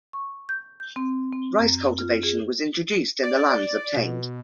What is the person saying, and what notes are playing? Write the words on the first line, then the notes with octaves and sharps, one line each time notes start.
Rice cultivation was introduced in the lands obtained.
C#6
G6
G6
C4
C4
F#2
F4
G#4
D5
B2